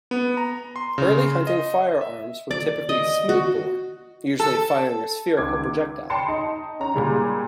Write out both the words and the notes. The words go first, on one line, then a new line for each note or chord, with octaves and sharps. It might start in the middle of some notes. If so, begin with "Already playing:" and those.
Early hunting firearms were typically smoothbore, usually firing a spherical projectile.
B3
A#5
C6
C#3
C6
D#5
E5
D5
D#5
F#4
A4
C#2 D#3 D6 G#6
G5 A5 B5 C6 C#7
D#4
C#4 A#5
A#2 G3 G#3 A#5